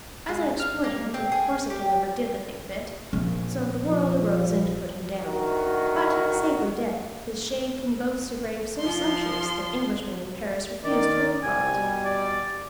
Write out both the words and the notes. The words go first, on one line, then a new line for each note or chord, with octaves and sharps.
As an exploiter, the Corsican overdid the thing a bit--so the world arose and put him down; but safely dead, his shade can boast a grave so sumptuous that Englishmen in Paris refuse to look upon it.
G#3
F5
A#3
C4
G#4
G4
A#1
F3
D2 D#3 F#4 A#4
F3 C6
D#3 D5
C2 G#5
B2 G3
D5